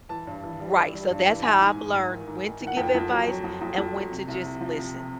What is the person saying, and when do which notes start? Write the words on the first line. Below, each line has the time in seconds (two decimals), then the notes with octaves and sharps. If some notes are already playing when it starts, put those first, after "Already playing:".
Right. So, that's how I've learned when to give advice and when to just listen.
0.09 E3 A5
0.27 G2
0.44 E3
0.60 G3
0.77 E3
0.93 G3
1.10 G2
1.27 E3
1.43 G#2 G#5
1.61 G#2
1.77 G#2
1.94 G#2
2.11 D#3
2.27 G#2
2.44 D#3
2.60 D#3
2.67 F#5
2.77 F2 G5
2.95 F2
3.10 F#3
3.27 F#3
3.44 F2
3.61 F2
3.78 F2
3.95 F#3
4.12 C3
4.28 C2
4.45 C3
4.61 F3
4.78 C3
4.95 C3